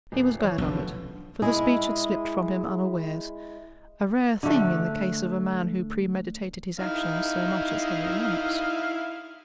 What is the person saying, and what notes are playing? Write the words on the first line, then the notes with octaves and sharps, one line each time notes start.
He was glad of it, for the speech had slipped from him unawares--a rare thing in the case of a man who premeditated his actions so much as Henry Lennox.
D#1
E3 C#5
F1 B1 D3 F3 B3
G#3 E4 G#4
D3 A3
D#4 E4 F5